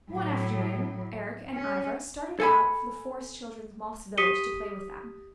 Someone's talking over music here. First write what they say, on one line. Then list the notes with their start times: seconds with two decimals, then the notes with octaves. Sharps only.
One afternoon Eric and Ivra started out for the Forest Children's moss village to play with them.
0.12 A2 F#3
1.54 C#4
2.40 A4 G#5 B5
4.18 G4 D#6 B6 C#7 D#7 G7